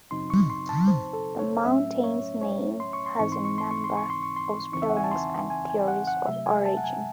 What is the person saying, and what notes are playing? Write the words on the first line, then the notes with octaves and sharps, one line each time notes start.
The mountain's name has a number of spellings and theories of origin.
F#2 C#3 F#3 C4 D#4 C6
C#6
C6
A5
C5
A4
C#5
A2 F#3 A3 C#4 E5
C#5
C#5
C6
C#6
C6
G#2 E3 C4 D#4 C#6
C6
C#6
C6
C#6
C6
C#6
C6
C#6
C6
E2 C#3 E3 C4 D#4 C#6
E5
F#5
G#5
A5
C6
G#5
G#5
F#5
F#5
C3 F#3 A3 E5
G#5
A5
F#5
G#5